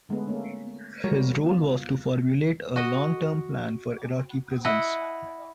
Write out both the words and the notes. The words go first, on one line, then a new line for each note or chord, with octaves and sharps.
His role was to formulate a long term plan for Iraqi prisons.
D3 G#3 A3 B3
A3 A#3 C#4
F3 G3 G#3 F#4 A#4 C#5
B3 F4
F#4 D#5
E4 D#5 F#5